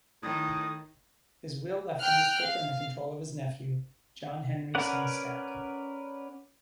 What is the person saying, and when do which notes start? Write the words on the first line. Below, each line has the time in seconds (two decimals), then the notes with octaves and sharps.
His will left the newspaper in the control of his nephew, John Henry Sengstacke.
0.23 A2 D#3 D#6
2.02 G5 F6 F#6
2.43 F5
4.75 C#4 A#4 B4 D5 F#5